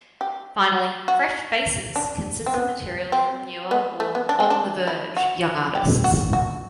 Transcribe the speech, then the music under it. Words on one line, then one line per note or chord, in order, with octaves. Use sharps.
Finally, "Fresh Faces" consists of material from newer or 'on the verge' young artists.
G4
F#4
D4
C4
B3
C4
B3
A3
B3
D4
C4
D4
E4
F#4
G4
F#4
F#4